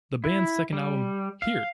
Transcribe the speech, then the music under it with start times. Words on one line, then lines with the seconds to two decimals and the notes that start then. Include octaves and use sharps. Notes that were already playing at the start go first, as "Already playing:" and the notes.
The band's second album, Hear!
0.24 E4
0.73 G3
1.42 F5